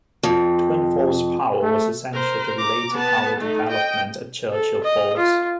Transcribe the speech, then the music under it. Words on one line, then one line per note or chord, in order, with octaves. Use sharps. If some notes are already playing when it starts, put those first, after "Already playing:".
Twin Falls power was essential to the later power development at Churchill Falls.
F2
A3
A#4 C5
A#5 D6
B3 A5
A3 D#4
D#5 G5
A4
D#5
F4